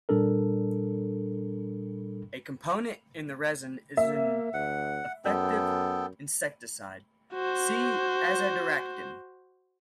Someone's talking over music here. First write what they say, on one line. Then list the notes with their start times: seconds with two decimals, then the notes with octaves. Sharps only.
A component in the resin is an effective insecticide; see azadirachtin.
0.09 A#2 G3 D4 A4 A#4
3.97 A#3 E5
4.53 D2 F#5
5.25 F#2 B3 A4 G5
7.34 F#4 C5